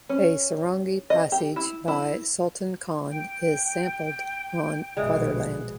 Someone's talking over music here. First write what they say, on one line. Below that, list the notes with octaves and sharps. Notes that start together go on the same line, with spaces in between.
A sarangi passage by Sultan Khan is sampled on "Fartherland".
C#4
D#5
G4
E4
E4
G5
A#1 B2 G#3 D5 E5